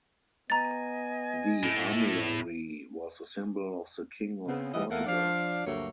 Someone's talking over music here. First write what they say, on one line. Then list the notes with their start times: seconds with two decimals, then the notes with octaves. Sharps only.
The armillary was a symbol of the king of Portugal.
0.50 B3 D#5 G#5 A#5 A6
1.63 A2 E4
4.48 C#3 B3 C4
4.74 E3 G3 B3 E4 D#5
4.90 E2 A3 A#3 A#4 F5 F#5
5.07 F3 D4 F5
5.66 D2 G2 F#3 A3 A#3 C#5